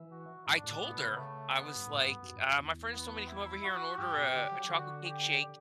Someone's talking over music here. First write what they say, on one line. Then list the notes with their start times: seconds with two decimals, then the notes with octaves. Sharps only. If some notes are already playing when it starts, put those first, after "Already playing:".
I told her. I was, like, "Uh, my friends told me to come over here and order a a chocolate cake shake."
Already playing: E3
0.12 F#4
0.46 G2 D4
0.64 A2
0.81 A2 B3
0.92 B2
0.99 C#3
1.17 A3
1.51 B3
1.75 G2
1.87 A2
2.05 G2
2.23 F#2
2.34 G2
2.41 F#2
2.58 E2
2.93 B3
3.28 E4
3.64 F#4
3.98 G2 G4
4.16 B2
4.34 D3
4.51 F#3
4.69 D3 F#4
5.05 G4